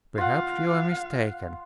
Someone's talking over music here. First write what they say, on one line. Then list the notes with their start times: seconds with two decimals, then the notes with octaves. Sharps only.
"Perhaps you are mistaken."
0.18 F4 F5 F#5